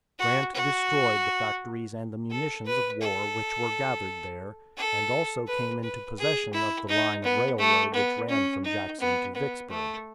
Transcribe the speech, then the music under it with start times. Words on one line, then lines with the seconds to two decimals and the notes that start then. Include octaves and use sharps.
Grant destroyed the factories and the munitions of war which were gathered there, and also came into possession of the line of railroad which ran from Jackson to Vicksburg.
0.19 F#4
0.54 F#4
2.31 A4
2.66 B4
3.01 A4
4.77 A4
5.47 B4
5.83 B4
6.18 G#4
6.53 E4
6.88 D#4
7.24 B3
7.59 A3
7.94 B3
8.29 C#4
8.65 D#4
9.00 B3
9.35 B3
9.70 A3